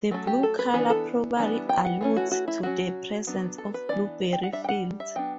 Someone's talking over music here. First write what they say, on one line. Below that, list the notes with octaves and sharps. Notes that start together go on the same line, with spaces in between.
The blue color probably alludes to the presence of blueberry fields.
F#3 A3 C#4 A4
G4
A4
B4
E3 B3 D4 B4
A4
E3 G3 B3 D4
G5
F#5
E3 A3 C#4
F#4
F#4
E4
F#3 C#4 F#4
F#3 B3 D4
A4
B4
E3 B3 D4 D5
G5
F#5
G3 D4 E5
G5
F#5
E5
F#3 B3 D4 G5